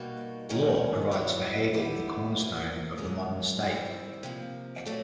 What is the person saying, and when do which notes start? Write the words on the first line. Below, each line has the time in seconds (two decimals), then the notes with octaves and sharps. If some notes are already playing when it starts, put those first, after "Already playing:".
Law provides for Hegel the cornerstone of the modern state.
Already playing: B2 G3 A#3 D#4 F#4
0.49 D#3 G#3 C#4 F#4 A#4
1.11 D3 F#3 B3 E4
1.73 D3 G3 B3 E4
2.36 C#3 F3 A#3
2.98 B2 G#3 C#4 F4 A#4
3.60 C3 D#3 G3 C4 E4
4.23 C3 F3 A#3
4.86 F#3 A3 D4